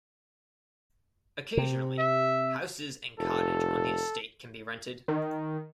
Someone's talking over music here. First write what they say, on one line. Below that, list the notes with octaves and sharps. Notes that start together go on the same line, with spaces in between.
Occasionally, houses and cottage on the estate can be rented.
C3
E5
F1 A4
D#3